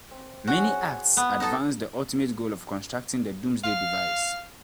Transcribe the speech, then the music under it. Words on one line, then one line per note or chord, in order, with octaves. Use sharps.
Many Acts advance the ultimate goal of constructing the doomsday device.
C4
C#4 F#4 G#4
C4
B3
D#4 A4
F5